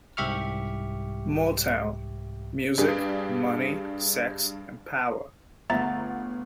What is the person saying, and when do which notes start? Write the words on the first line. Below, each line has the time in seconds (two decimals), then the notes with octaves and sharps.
"Motown : Music, Money, Sex, and Power".
0.17 C2 G#2 G4 E5 C#6 F6
2.78 G2 D4 G4 G#4
5.70 G1 A3 B3 G#4 E5 F#5 A#5 A6